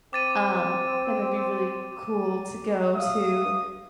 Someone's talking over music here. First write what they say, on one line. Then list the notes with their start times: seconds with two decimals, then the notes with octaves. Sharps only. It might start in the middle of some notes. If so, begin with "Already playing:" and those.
Um, and it'd be really cool to go to,
0.13 C4 D6 A6 D#7
2.95 E5 F5 D#6